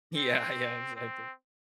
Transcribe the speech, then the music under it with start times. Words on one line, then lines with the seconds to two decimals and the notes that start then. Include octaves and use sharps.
Yeah, yeah, exactly.
0.16 C4
0.96 C4